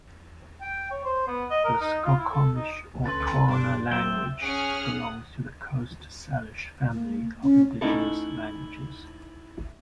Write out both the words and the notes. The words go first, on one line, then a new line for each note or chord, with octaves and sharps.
The Skokomish, or Twana language belongs to the Coast Salish family of indigenous languages.
G5
C#5
C5
B3
D#5
A#4
D#4
F4
E4
A4
D#4
D2 C#4 A4 B4 C6 A6
G2 G3 D4
F#3 A#3 C4 E5 G5
C#4 G#4 F#5 D#6 F6
A#3
C#4
A3 C#4 D#4 E4 A4